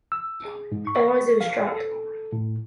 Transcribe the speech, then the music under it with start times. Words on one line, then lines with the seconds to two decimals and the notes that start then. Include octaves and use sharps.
Otherwise, it was dropped.
0.12 E6
0.45 G#4
0.72 G#2
0.87 C#6
1.41 F5
1.72 A4
2.33 A2